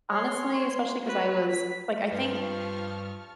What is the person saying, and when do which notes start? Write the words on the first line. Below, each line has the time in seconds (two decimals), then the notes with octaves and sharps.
honestly especially 'cause I was like, I think
0.10 C#5 C6
1.04 F#4 B4
1.49 B6
2.12 G2 F3 B4 A5 C#6 F6